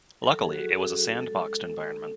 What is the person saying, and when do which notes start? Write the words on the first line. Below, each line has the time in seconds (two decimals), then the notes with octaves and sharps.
Luckily it was a sandboxed environment.
0.23 F#3 A4
0.33 A4
0.43 G#4
0.52 F#4
0.67 C#4 F#4
0.82 G#4
1.11 G#3 A4